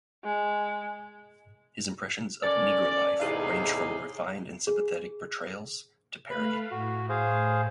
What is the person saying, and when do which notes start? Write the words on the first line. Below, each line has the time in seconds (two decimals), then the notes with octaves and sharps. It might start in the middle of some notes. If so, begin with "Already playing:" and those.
His impressions of "negro life" ranged from refined and sympathetic portrayals to parody.
0.24 G#3
2.44 C#4 A4 A#4 D5
3.20 E2 A2 C3 D#4 G#4 F5
4.67 G#4
6.30 A3 B4 F5 B5
6.71 A2 F#4
7.09 G#4 C5 F5